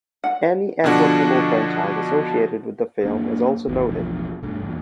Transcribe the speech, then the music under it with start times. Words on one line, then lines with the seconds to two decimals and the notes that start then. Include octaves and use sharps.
Any applicable franchise associated with the film is also noted.
0.24 F#5
0.84 B2 D3 F3 D4 F#4
3.04 F#2 A#3 C4 D4
3.68 G#1 D#2 D#3 F#3
3.87 E1 A1 B2 F3
4.42 B1 G2 A3
4.62 E2 A#2